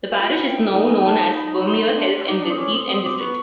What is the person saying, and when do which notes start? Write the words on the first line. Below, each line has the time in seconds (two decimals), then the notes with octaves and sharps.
The parish is now known as "Bomere Heath and District".
0.10 G4 G#5
0.19 F4
0.22 F#4 G5
0.34 F#5
0.42 F4 G5
0.57 D#4
0.73 D#4 G#5
1.03 A5
1.35 B5
1.58 B5
1.65 C6
1.89 D#4
1.95 D4
2.27 D#4 D6
2.42 D4
2.50 C4 D#6
2.58 C#4 D6
2.73 C4 D#6
2.88 C4 D#6
3.04 C4 D6
3.19 B3 C#6